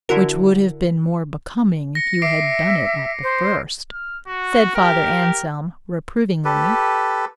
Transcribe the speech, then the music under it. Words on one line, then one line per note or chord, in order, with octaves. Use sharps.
"Which would have been more becoming if you had done it at the first," said Father Anselm, reprovingly.
D3 E4 F#4 A#4
A#6 C#7
E5 D6 C7 D7
C5
F6
F#4
G4 A#4
G4 A4 B4